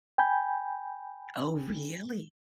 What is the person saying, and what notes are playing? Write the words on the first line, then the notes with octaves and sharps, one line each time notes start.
Oh, really.
G5 G#5 B5 G6